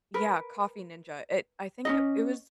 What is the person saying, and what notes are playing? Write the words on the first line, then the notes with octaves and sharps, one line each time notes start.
Y yeah, Coffee Ninja, it I think it it was
A#4 B4
C#4 D#4 D#5